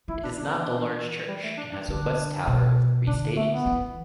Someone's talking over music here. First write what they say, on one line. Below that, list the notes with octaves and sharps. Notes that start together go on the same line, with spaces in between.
It is not a large church and has a west tower of three stages.
E3 E4
D4
D4
B3
D4
G3
A3
D4
D4
D3 D4
B2
D3 D4
A3
B3
E3